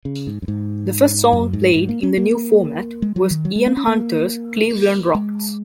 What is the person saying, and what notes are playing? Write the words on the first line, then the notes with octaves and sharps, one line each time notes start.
The first song played in the new format was Ian Hunter's "Cleveland Rocks".
C#3
G#2
F#2
G#2
F#2
G#2
G#2
A#3
C#4
A#3
G#3
F#3
D#3
F#3
G#3
A#3
C#4
A#3
G#3